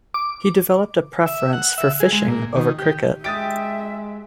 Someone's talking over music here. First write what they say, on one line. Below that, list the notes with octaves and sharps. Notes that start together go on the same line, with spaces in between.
He developed a preference for fishing over cricket.
D6
E5
F#5
E5
G#4
G#3
A#2
D#3
G4
G#3 G4 E5 D#6 A6 D7